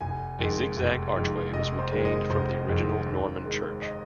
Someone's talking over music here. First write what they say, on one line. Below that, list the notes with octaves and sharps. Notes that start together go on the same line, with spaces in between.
A zig zag archway was retained from the original Norman church.
F1 G#5
F2 D#3 G#3
F1
F2 D#3 G#3
F1 D#5
C5
F2 D#3 G#3
D#5
F1 C5
F2 D#3 G#3
D#2
D#3 G#3
D#5